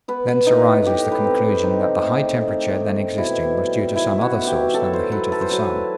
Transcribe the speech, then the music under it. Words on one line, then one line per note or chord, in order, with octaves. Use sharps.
Thence arises the conclusion that the high temperature then existing was due to some other source than the heat of the sun.
B3 B4
B4
A2 D#4
A2 G4
B4
C4
C4 D#4
A3
D#3
D#3
B2 E4
G3
D#3 E4
F#4
B3
G4
F#3 A4
C5
F#3 B4
A4
C5
F#3 B4